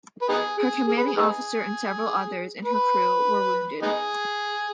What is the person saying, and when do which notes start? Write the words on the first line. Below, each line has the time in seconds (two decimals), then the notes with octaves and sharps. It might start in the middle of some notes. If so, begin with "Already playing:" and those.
Her commanding officer and several others in her crew were wounded.
0.22 B4
0.29 B3 D#4 G#4
0.58 G#4
0.88 G#4
0.97 B4
1.07 G#4
1.17 B3 D#4 G#4
2.65 B4
3.82 B3 D#4 G#4